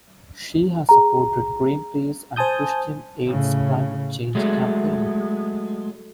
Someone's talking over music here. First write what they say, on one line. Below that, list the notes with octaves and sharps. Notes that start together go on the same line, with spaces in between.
She has supported Greenpeace and Christian Aid's climate change campaign.
G#4 A#5
C5 G#5 A5 D#6 G6
A2 C#3
F#3 G#3 A3